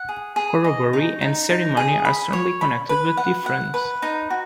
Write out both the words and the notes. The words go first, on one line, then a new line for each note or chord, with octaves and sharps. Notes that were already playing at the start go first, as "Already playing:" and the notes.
Corroboree and ceremony are strongly connected but different.
Already playing: F#5
G#4
G#4
D#5
D#4
D#4
D#4
G#4
B5
C#5
B5
B4
F#5
F#5
B4
D#4
F#4